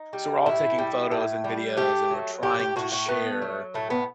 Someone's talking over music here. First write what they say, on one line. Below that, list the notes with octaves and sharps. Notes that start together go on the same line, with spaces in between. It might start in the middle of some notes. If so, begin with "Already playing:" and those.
so we're all taking photos and videos, and we're trying to share,
Already playing: D#4
G3
A2 E4
G3
A2
G3
A3 G4
F#3
A2 G4
G4
A2 F#4
F#4
A3 B3
F#3
A2 A3
B3